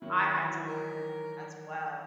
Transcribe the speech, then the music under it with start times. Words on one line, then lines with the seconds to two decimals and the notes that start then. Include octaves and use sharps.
I had to learn as well.
0.01 D#3 F#3 E4
0.34 E3 F#4
0.68 A#4